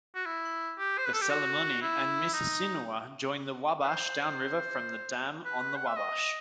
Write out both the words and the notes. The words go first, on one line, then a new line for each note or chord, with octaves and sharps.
The Salamonie and Mississinewa join the Wabash downriver from the dam on the Wabash.
F#4
E4
G4
C5
B4
A4
G4
F#4
E4
D#4
B4
C5
B4
F#5
E5
D#5